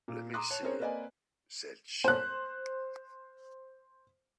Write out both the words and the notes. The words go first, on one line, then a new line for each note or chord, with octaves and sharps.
"Let me see," said she.
A#2
A#5 C6 D6 D#6 F#6
C#5 A5
C4 C#4 G#4 A#4 C5 C#5
A#3 C4 B4 D5 D#5 G#5
C5 F#6